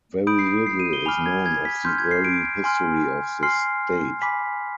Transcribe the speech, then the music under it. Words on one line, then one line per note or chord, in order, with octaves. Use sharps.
Very little is known of the early history of the state.
B5 D#6 G6 D7
C7
D7
C7
D#7
G7
G#5 B5 D6 F6 F7
G#6
G#6
B6
C6 F6 G6
G#6
C7
D7
G#5 C6 F6
G#5 C6 F6 C7
G#5 B5 D6 B6